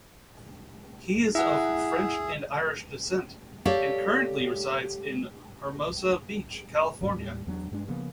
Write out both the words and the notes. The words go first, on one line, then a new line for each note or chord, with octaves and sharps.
He is of French and Irish descent, and currently resides in Hermosa Beach, California.
E4 G#4 E5 F#5
G4 A4 C#5 D5 F5
D#1 G#1 F#2 A2
D#2 A2 G3
E2 F#3 A#3 D4
G2 G#3 D4
C#3 F3 A#3 B3